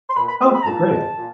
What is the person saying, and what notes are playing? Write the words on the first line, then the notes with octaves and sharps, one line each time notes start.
Okay, great.
C6
A#2 B5
B5
F3 G#3 C4 C6
B5
A#5
A#2 A5
F3 G#3 C4
A#2